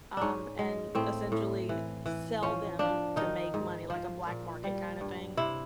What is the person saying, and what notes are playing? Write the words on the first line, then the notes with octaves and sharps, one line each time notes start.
um, and essentially sell them to make money, like a black market kinda thing.
G#2 C#4 D4
G#3
A2 C4
A2
E3
E3
F3 C#4
F3 D4
D#3 D#4
G#2
F3
A#2
G3
G2
C3 E4